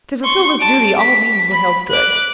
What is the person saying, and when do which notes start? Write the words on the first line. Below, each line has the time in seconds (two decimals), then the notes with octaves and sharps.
To fulfil this duty all means were held good.
0.23 C6 C#6
0.60 A5 D7
0.99 B6
1.51 B5
1.89 D6 F#6